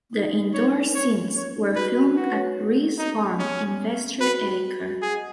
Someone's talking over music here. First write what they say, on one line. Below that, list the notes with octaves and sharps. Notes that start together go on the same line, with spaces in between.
The indoor scenes were filmed at Riis farm in Vestre Aker.
D#4
C#4 C#5
B3
C#4 C#5
C#4 C#5
D#4
F#4 B4
F#4 B4
C#5
B4
B3
C#4 D#4
C#4
B3 C#4
C#4
F#4 B4
G#4 F#5
D#5